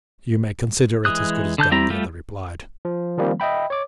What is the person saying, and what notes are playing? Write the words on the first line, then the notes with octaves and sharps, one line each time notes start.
"You may consider it as good as done," the other replied.
E3 G#3 D#6 F#6
D3 A5 F#6 G6
G3 C4 E4 A#5
G3 A3 F4 G4
F3
D#3 F3 G3 A#3 C4
D#5 E5 G5 B5
C#5 D6